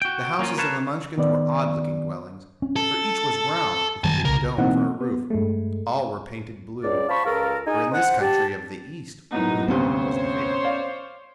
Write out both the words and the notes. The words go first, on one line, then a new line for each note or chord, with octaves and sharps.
The houses of the Munchkins were odd-looking dwellings, for each was round, with a big dome for a roof. All were painted blue, for in this country of the East blue was the favorite color.
F#4 G5
A#3 C#4 D#4 F4
A#4 B4 C#5 F5 A5
D#3 B3 D5
C#4
A4
F#2 D#3 G3 G#5 A5
C2 C#3 A#4
B2 E3 A#3 C4 D#4 F#5
B3
G2 G#3 A3
C#2 D5
C5 F5 A5 B5 C#6
C#2 F4 A4 A#4
D#4 G#4 D#5 G#5
C5 F#5
G4 A5
F#2 A2 B3 D#4
D2 G2 C3 B3 C#4 C5 C#5
D5 F5